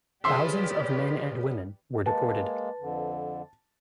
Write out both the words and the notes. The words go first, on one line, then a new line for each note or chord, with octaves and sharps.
Thousands of men and women were deported.
C#3 F3 G#3 G4 B4 D5 E5 C6
G#3 A#3 B4 A5
F2 D3